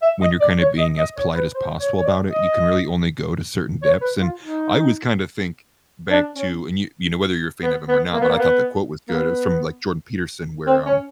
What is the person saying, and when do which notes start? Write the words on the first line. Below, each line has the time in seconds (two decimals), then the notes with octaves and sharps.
when you're kind of being as polite as possible about it, you can really only go to certain depths, and I always kinda think back to and you you know, whether you're a fan of him or not, but I thought the quote was good. It was from, like, Jordan Peterson where, um,
0.02 E5
0.21 D#5
0.40 D5
0.59 C#5
0.78 D#5
0.97 D#5
1.16 C#5
1.35 B4
1.54 C5
1.80 C#5
1.97 C#5
2.05 D5
2.30 D#5
3.82 C#5
4.01 B4
4.20 F4
4.39 D#4
6.10 D4
6.35 C#4
7.62 B3
7.88 B3
8.13 A#3
8.21 B3
8.29 A#3
8.38 B3
9.08 A#3
9.14 B3
10.66 C4
10.86 C#4